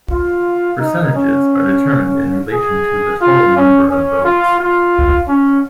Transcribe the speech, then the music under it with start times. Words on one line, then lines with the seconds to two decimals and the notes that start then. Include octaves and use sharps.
Percentages are determined in relation to the total number of votes.
0.10 F4
0.79 D#4
1.14 C#4
2.52 G#4
3.21 F4
3.55 C#4
3.89 C#4
4.24 F4
4.59 F4
5.28 C#4